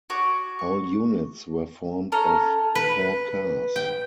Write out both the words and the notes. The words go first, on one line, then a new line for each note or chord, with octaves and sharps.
All units were formed of four cars.
F#4 C#5 D6
C#6
C#4 A4 A#5 F6
B4
G5